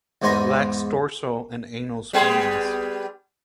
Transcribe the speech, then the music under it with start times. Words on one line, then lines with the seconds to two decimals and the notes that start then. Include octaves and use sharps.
It lacks dorsal and anal spines.
0.22 E2 G#2 B3 C5 G#5 A#5
2.13 G3 B3 G#4